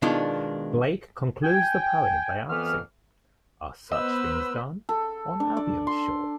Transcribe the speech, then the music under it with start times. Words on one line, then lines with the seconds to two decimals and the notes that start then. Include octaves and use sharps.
Blake concludes the poem by asking: "Are such things done on Albion's shore?".
0.02 B2 D#3 G#3 D4 F4
1.43 G5 G#5
2.49 F2 E3 B3 F6
3.92 B3 B4 C5 D#5 E6
4.89 A4
5.40 D4
5.57 D5
5.87 C6